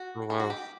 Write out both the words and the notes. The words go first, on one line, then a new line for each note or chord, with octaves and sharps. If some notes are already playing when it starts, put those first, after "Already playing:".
Oh, wow.
Already playing: F#4
G#4
F#4
G4